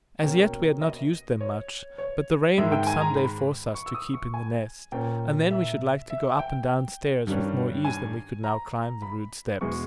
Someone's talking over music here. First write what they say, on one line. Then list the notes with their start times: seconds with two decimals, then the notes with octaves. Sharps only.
As yet we had not used them much, but the rain would some day force us to keep in The Nest, and then we should like to go up and down stairs with more ease than we could now climb the rude steps.
0.23 B2 A#3 C#4 G5
0.81 D#5
1.41 C#5
1.98 C#5
2.58 G#2 D#3 G#3 E5
2.72 G5
2.87 G#5
3.01 A#5
3.16 B5
3.75 C#6
3.86 E6
3.95 D#6
4.14 C#6
4.34 G#5
4.92 A#2 A#3 C#4 G5
5.51 E5
6.10 E5
6.39 G5
7.27 G2 D#3 G3 C#4
7.85 G#5
8.44 A#5
9.02 B5
9.61 E2 B2 G#3 C#6